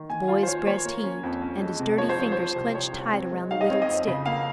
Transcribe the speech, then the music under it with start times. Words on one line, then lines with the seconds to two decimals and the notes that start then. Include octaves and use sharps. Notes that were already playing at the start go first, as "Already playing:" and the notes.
The boy's breast heaved and his dirty fingers clenched tight around the whittled stick.
Already playing: D#3
0.09 A#3 G#5
0.28 F4 F5
0.43 C5
0.47 F4 C#5
0.67 A#3 C#5
0.85 A#3
1.04 C#4
1.23 F2
1.42 C#4
1.61 G#3
1.79 C3
1.98 F3 C#5
2.09 C5
2.18 F3
2.32 F3 C5
2.56 C2
2.75 C2 C#5
2.93 C2
3.12 C4
3.31 G#3
3.51 D#4 F5
3.61 D#5
3.70 C4 C#5
3.82 D#5
3.88 F2
4.07 C#3
4.26 A#3 F5